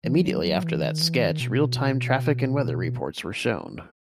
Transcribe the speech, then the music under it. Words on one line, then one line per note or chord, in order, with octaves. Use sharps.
Immediately after that sketch, real-time traffic and weather reports were shown.
E3
F#3
F#3
E3
D#3
E3
D#3
B2